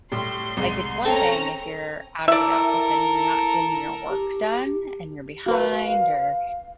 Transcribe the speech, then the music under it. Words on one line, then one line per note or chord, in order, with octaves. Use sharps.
Like, it's one thing if you're out of the office and you're not getting your work done and you're behind or,
A2 G3 C6
C2 G#3 D#7
C4 C#4 A4 G5 A#5
E4 A4 A#4 D5 E5
G4
F#4 A#4 B4 F5